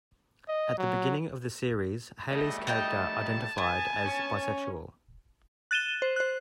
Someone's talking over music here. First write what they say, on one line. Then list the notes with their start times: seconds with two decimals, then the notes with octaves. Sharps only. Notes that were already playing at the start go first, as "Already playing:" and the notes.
At the beginning of the series, Hailey's character identified as bisexual.
0.48 D#5
0.78 F#3
2.30 G3 A3 D#5
2.67 A#4 D#5 G5 A5
3.58 B3 G#5
4.06 C#4
5.71 F#6 A6 D#7 E7 G7
6.02 C5
6.16 C5 F#6